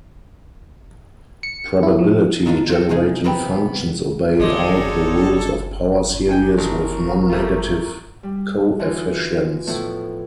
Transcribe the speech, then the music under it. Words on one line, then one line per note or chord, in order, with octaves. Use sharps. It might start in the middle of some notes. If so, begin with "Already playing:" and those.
Probability generating functions obey all the rules of power series with non-negative coefficients.
C#7
E4
F3
G#2 D4 D#4 F4
F4 F#4 A4
C3 G#3 D#4 G#4
C2 D#3 B3 C4 B4 G5
D#3 G#3 D#4 F4 A4 C#5 D5 D6
D#4 G4 G5 G#5
A1 A#4 A#5 C#6
G3 A3 F4
G3
D3 E3 D#4 F4 F#4 B4
A2 F3 A3 B3 E4